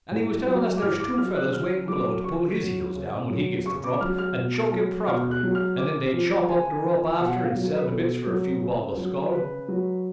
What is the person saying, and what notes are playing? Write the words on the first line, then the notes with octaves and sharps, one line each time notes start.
And he was telling us there's two fellows waiting below to pull his heels down when he gets the drop and choke him properly and then they chop up the rope after and sell the bits for a few bob a skull.
A2
F#3
D6
A2 F6
D6
F#3 F6
F#6
C#3 F6
F#3 D6
C#3 C#6
F#3
C#3
F#3
C#3 C#6
D6
F#3 F6
F6
B2
F#3
B2 F6
F#6
F#3
F6
C#3 D6
F3
C#3 G#5
F3
B2 F#5
F5
F#3
A4
B4
A4
B2
F#3
C#3
F#3
C#3 B4
F#3